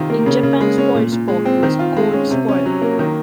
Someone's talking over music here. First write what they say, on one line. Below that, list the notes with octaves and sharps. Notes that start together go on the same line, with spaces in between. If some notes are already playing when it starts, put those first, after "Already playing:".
In Japan Spoilsport was called Spoil.
Already playing: C3 D#3 F4
A#3
C#3
C#3
G#3
C#4
A#2
A#2
G#3
C4
D#3
F4
G#3
C#4
C3
C#4
F#3
A#3
D#3